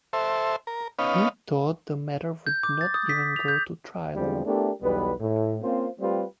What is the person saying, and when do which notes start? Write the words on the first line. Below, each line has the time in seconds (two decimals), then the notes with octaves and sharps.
He thought the matter would not even go to trial.
0.13 A4 C5 E5
0.67 A#4
0.99 B3 C#4 D#4 F5
2.47 G6
2.63 D6
2.81 A6
2.94 D#6
3.09 B6
3.36 F7
3.48 G6
4.16 E2 D3 F3 G3 G#3 C4
4.46 A3 B3 D4 E4 G4 A#4
4.82 B1 E2 G3 B3 B4
5.21 A2
5.63 A#3 C4 C#4 F4 C5
6.00 G3 A3 C4 F4 G4 B4